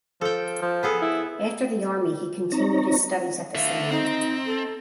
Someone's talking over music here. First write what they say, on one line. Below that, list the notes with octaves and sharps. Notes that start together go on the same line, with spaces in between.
After the army he continued his studies at the seminary.
F3 A4 G5
F3
B3 G#4 A4
E4
C4 D#4 C#5 A#5
D3 E5 F5
C4 D#4
A4